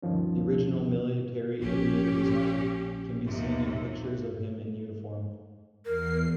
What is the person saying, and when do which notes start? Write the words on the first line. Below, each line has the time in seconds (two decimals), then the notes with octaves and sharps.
The original Military Aviator design can be seen in pictures of him in uniform.
0.02 D2 G2 D#3 F3 C#4
1.62 A#1 F3 C#4 G4
3.28 D#2 C3
5.86 E2 A#4 C7